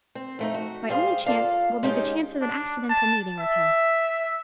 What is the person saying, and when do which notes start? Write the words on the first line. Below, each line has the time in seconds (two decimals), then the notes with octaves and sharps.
My only chance will be the chance of an accidental meeting with Him.
0.15 C4
0.39 F2 A3 D#4
0.54 F#4
0.89 G3 G#4 C5 F5
1.26 F4 A4 D5 F5
1.83 G#3 C#4 D#4 G4
2.41 D4
2.89 A5
3.39 E5